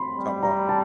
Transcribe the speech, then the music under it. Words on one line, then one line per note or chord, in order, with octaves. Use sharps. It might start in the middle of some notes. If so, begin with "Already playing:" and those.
Talking about
Already playing: B5 C6
G3
A#5
A5